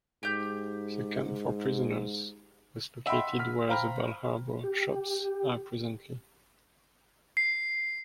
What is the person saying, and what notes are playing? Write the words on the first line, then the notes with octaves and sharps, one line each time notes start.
The camp for prisoners was located where the Bal Harbour Shops are presently.
G#2 G4 G6
D#5 E5 F#5 G5 B5 C6
F6 B6
C5 F5 G5 A#5 B5 F6
G4
C7